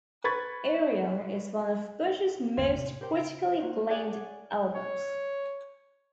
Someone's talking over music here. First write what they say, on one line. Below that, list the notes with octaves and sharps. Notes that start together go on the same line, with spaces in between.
"Aerial" is one of Bush's most critically acclaimed albums.
B4 B5 C#6 G#6 A6
G1 E2 D3 F5 C6 G#6
A2 C3
G4 A#4 C5 G5
C#3 A#6 D7
A#3 F4 F#4 C5
G#4 C#5 D5 F#5 G#5 A5
C#5